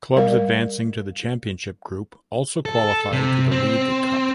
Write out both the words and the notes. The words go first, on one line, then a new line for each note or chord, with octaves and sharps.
Clubs advancing to the Championship Group also qualify to the league cup.
G3 A#4 D5 F5
A4
C3
C4